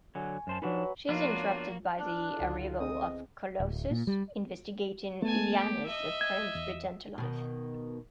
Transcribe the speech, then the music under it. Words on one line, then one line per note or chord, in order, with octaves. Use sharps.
She is interrupted by the arrival of Colossus, investigating Illyana's apparent return to life.
D3 F#3 G#5 C#6
F#2 C5 A5
F3 F#3 D4 D#4 B4
F3 A#3 B3 D4 F4 F#4 C#5
D4 F6 F#6
C#2 D3 D#4 F4 F#4 A4
E2 C4 G#4 A4 D#5 D#6
D1
A#2
G3
A3 B3 G#5 A5
G4
D#5 E5
G#6
E2
B2 D#3